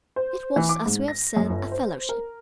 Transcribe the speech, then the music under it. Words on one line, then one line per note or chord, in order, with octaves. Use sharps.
It was, as we have said, a fellowship.
C5
E3
D6
G#2
A#6
F#2
G1
C5
A#4